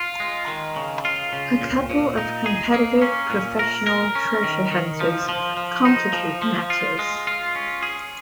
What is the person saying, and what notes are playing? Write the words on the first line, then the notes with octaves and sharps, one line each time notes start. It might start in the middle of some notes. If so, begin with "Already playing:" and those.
A couple of competitive professional treasure hunters complicate matters.
Already playing: F4
G#3
D#3
C#3
F4
C#3
A#2
A#2
D#4
G#4
A#3
C#4
A#2
A#4
A#4
C#4
D#3
D#3
F3
F3
F3
D#4
F3
F3
F4
G#3
F4
C#4
G#4